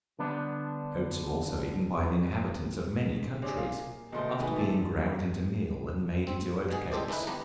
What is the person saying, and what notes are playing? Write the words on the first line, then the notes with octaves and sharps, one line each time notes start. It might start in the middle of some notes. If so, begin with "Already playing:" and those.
Oats are also eaten by the inhabitants of many countries, after being ground into meal and made into oat cakes.
D3 G3 B3 D4
C3 C#4 D4 G#4 D5
A#2 F5
G1 B2 A3 A#3 G5 C6
D#2 A3 D#4 G#4 B4
A#2 A3 A4
C4
B2 D3 G#4
D#4 G4 A4 C5 D5
E3 A3 D#4 E4 B4
G1 G3 B3 D4 A#5